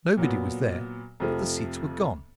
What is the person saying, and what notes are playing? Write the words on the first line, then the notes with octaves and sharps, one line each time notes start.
Nobody was there, but the seats were gone!
A#2 F#3 B3
F2 C3 F3 A3